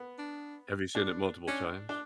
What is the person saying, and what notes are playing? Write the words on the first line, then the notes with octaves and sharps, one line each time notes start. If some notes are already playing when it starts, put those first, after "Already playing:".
Have you seen it multiple times?
Already playing: B3
D4
D4
C#4 D4
D4